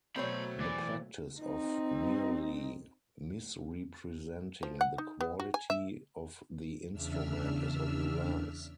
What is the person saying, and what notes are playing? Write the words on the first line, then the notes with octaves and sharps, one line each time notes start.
The practice of merely misrepresenting the quality of the instrument is on the rise.
B2 F#3 A3 C4 C5 C#5 A#5 B5
E3 D5
C4 D#4
F3
F#5
D#4
B3
F#4
G#5
E5
E2 C#3 D4 E5 E6 F6